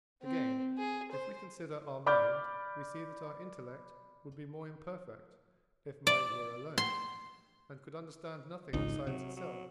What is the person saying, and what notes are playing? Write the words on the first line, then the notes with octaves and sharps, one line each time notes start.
Again, if we consider our mind, we see that our intellect would be more imperfect, if mind were alone, and could understand nothing besides itself.
C4
G#4
C5
D5 B5 D6 F6 G6
D5
C6
G#1 C#2 D#4
C3 F#3
F#3